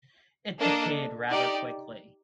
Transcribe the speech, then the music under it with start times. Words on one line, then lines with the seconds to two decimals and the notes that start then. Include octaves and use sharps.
It decayed rather quickly.
0.58 A#3 D4 A4 D#5
1.30 D#4 G4 D5